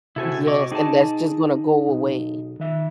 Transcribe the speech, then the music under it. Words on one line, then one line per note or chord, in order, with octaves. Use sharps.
Yes, and that's just gonna go away.
C3 E4 F#4 A4 C5 G#5
D#5 C#6 D6
D#4 G#4 G5 A5
B1
D#3 E5